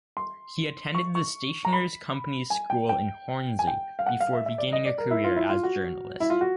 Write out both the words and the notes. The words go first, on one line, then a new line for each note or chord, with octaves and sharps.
He attended the Stationers' Company's School in Hornsey before beginning a career as journalist.
C6
C#6
C#6
A#5
B5
G#5
G5
G5
G#5
G5
F5
F#5
F5
E5
E5
D5
D#5
D5
A#4
E4
F4
E4
F4
F#4
E4
F4
F#4